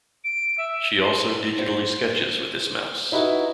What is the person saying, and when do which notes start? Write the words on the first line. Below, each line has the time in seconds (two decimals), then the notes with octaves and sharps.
She also digitally sketches with this mouse.
0.24 D7
0.57 E5
1.00 C6
1.58 C5
3.12 D#4 E4 F#4 B4